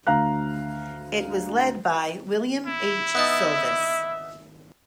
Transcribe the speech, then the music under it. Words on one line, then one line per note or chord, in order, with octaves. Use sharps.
It was led by William H. Sylvis.
D2 F5 A#5 F#6
E4
B3 D#4 E5 A5